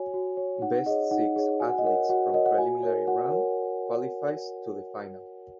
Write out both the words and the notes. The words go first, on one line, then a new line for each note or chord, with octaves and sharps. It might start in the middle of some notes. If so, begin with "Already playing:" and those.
Best six athletes from preliminary round qualifies to the final.
Already playing: F#4 C#5 G#5
F#4
C#5
D#4 F#5
F#5
G#4 C#5 D#5
D#4 F#5
G#4 C#5
F#4 G#5
F#5
D#5
A#4 C#5 F#5
F#4 F#5
A#4 C#5 D#5
F#5
F#4 G#5
A#4 C#5
F#4 F#5
A#4 C#5